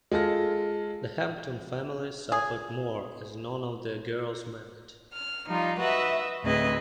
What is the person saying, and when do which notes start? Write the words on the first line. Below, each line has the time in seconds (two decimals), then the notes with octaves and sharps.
The Hampton family suffered more, as none of the girls married.
0.11 G#3 F4 A4 A#6
2.32 G#4
5.13 F6
5.47 F3 G3 D#4 F4
5.80 F#4 B4 D#5 E5
6.44 D2 A2 C4 G#4 B4 D#5